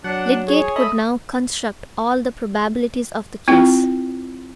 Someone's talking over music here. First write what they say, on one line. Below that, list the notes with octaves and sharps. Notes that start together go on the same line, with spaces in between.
Lydgate could now construct all the probabilities of the case.
F#3 D4 F#5
G#4 C#5
A4 D#5 E5 B5
C4 E4 F4 G5